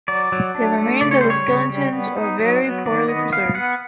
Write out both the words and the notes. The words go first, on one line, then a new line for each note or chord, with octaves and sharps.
The remains of the skeletons are very poorly preserved.
F#3 D5
F#3
D4
A3
C#3 D5
C#5
G3 C5
C#5
C#3
G3
B3
D#4
F#3
B3
D#3 D5
B3 D#5
B3 F5
B3 F#5